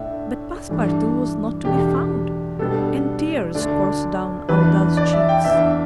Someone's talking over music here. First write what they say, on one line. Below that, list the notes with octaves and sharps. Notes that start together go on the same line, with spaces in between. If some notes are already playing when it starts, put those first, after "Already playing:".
But Passepartout was not to be found, and tears coursed down Aouda's cheeks.
Already playing: A2 A3 D4 E5
G2 E3 A3 D4
E2 B2 A3 D4 G4
B2 G3 B3 D4 A4
D2 D3 A3 D4
E2 E3 B3 D4 B4
D5
E5
G5
E2 E3 B3 D4 E5